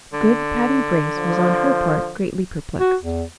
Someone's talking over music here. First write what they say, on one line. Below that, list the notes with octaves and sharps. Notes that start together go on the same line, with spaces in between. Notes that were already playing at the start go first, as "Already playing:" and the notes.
Good Patty Brace was, on her part, greatly perplexed.
D3
F3
F#4
E2